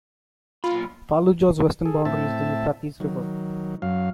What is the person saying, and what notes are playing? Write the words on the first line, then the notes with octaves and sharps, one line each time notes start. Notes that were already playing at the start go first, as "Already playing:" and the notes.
Fallujah's western boundary is the Euphrates River.
B1 A#2 F4 B5
G#4 A4
A2 C4 E5 A5
D#3 F#3
F#2 F#3 F5